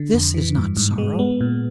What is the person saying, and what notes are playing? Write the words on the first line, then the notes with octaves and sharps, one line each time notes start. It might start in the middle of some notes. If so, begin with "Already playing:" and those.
This is not sorrow.
Already playing: D3
F2
E3
G2
G#2
G#3
B3
A#2